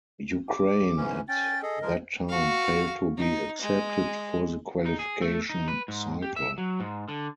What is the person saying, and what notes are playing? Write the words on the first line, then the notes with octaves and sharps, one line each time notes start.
Ukraine at that time failed to be accepted for the qualification cycle.
D6
G#2 E3 C#4
C#4 G5 A6
G#4 A4 D#5
F3 G#3 A#4
F#4 F5
D#4
G#3
D#4
G#4
A3
D#4
B4
G#2
G4
E5
F#3
G#2
D3